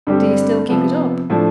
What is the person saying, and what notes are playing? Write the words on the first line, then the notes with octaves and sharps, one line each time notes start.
"Do you still keep it up?"
G2 D3 G3 C4 G4
C3 F3 B3
A2 F3 A3 D4